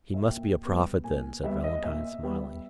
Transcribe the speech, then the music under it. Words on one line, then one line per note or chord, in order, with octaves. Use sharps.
"He must be a prophet, then," said Valentine, smiling.
E5
A#2 G5
G3 B3
A#2 G#5
G3 B3 E5
D#5
A#2 E5
G3 B3